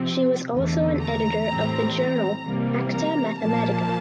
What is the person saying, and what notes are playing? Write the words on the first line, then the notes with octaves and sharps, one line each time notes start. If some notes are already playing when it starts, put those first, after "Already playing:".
She was also an editor of the journal "Acta Mathematica".
Already playing: C3 F3 C4
E2 D3 A3
A#5
A2 E3 G3 C4
A#5
C3 E3 G3 A#3
A#5
A#2 F3 A#3 A5